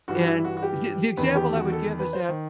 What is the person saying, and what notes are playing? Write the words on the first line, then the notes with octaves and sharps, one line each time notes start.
And the the example I would give is that
G2 E3 F#4
E4
F#4
F#4
G4
E2 D#3 B4
G4
F#4
A4
B4
C5
D#3